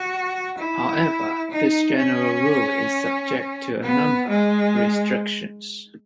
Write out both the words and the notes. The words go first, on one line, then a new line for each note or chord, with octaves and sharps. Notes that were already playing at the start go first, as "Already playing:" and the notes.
However, this general rule is subject to a number of restrictions.
Already playing: F#4
E4
D#4
C#4
B3
G#3